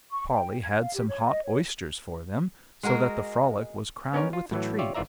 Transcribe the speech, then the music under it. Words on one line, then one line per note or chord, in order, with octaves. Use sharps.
Polly had some hot oysters for them, so that the frolic was crowned with a treat.
C#6
G5
G#6
F5
G4
C#5
D#5
C#5
G#3 F#4 G#4 A#4
B3 C#4 D#4 A#4 C#5
F4
A2 E3 F#3
F4 G4 C#5 D5 E5
G#1 E3 F4 D5 E5 A#5